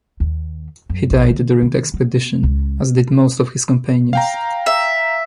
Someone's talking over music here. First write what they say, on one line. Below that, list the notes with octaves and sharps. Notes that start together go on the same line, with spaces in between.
He died during the expedition, as did most of his companions.
D#2
F#2
A#1
D3
D#3
B3
C#2
F5 G5 A#5
E5